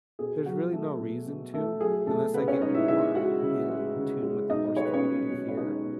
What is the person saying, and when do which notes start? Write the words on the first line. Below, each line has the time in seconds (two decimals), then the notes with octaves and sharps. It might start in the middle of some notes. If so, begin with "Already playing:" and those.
there's really no reason to, unless I get more in tune with the horse community here.
0.19 B2 G#4
0.46 F#3 F#4
0.73 A3
1.00 B2
1.27 B2
1.54 A3
1.80 F#3 G#4
2.07 B2 A3 A4
2.34 C#3 B3 B4
2.48 C#4 C#5
2.61 G#3 D#4 D#5
2.75 E4 E5
2.88 C#3 E4 E5
3.15 G#3 F#4 F#5
3.42 C#3
3.69 G#3
3.96 C#3
4.23 G#3
4.50 B2 D#4 D#5
4.76 G#3 C#5
4.85 B4
4.93 C#4 C#5
5.04 B2
5.30 B2
5.49 C#5
5.57 G#3 D#4 D#5
5.84 B2